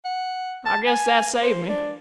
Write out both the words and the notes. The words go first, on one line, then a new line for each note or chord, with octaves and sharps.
I guess that saved me.
F#5
A5
G#5
C5
D4